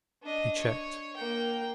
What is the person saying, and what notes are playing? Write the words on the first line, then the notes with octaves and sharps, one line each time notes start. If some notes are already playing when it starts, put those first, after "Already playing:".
He checked.
D4 D#5
C#5
A#3 G5